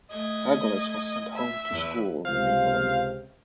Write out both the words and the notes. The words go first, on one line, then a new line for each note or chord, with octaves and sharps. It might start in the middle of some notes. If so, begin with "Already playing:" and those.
Douglas was sent home to school in England.
A3 D#5 G#6
E5
E2 B4
C#2 C3 C5 F5